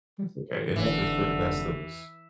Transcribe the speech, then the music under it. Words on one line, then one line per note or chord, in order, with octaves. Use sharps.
That's okay. It happens to the best of us.
F1 D3 E3